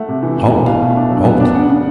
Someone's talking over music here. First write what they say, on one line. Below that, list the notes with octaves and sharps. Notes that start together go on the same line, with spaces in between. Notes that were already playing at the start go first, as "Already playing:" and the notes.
"Halt! halt!"
Already playing: A3 F#5
C3
E3
E3
E3
B2 F5
A3
D4
F#3
B3
D4
C#3 F#5
C#3